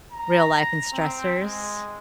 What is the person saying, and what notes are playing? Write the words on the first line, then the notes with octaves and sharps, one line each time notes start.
real life and stressors.
A#5
C4
G#3